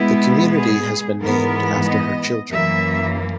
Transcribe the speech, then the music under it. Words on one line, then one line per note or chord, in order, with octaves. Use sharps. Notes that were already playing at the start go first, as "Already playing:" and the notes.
The community has been named after her children.
Already playing: B2 G#3 B3 E4
G#4
G#2 E3 B3 A#4
D#5
F#2 E3 A#3 E5